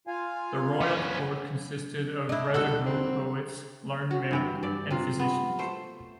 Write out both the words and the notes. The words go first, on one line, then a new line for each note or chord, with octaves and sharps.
The royal court consisted of a "Rajaguru", poets, learned men and physicians.
F4 F5 G#5
B3 C#4
D4 E4 D#5
D#2 G3 F#4 A4
C4
F#4
G2 E3 G5
G2 D5
C3 F4
B3
A3 C5